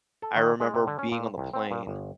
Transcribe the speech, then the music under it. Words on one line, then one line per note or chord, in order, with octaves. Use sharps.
I remember being on the plane,
A4
D#3
G#3
C3
D3
C#4
A#2
C2
C4
A#2
G1